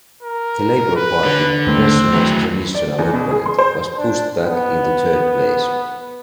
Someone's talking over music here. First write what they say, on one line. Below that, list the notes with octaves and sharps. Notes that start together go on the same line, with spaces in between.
The Labour Party, National's traditional opponent, was pushed back into third place.
A#4
B4
D3
D#2 A3 C4
F#3 E4
D5
E2
B2
G#4
C6
C5
D4
B3